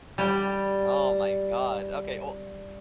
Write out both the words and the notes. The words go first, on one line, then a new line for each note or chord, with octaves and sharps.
Oh my God. Okay, well eh,
G3 G5